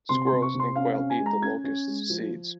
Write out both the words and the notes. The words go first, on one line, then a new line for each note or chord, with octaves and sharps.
Squirrels and quail eat the locust's seeds.
C3 C6
C6
C3
C#6
C3
C6
C#4 F5
F5
C#4
G#5
G#3
A#5
C#4 G#6
C#4
G#3
F3
F3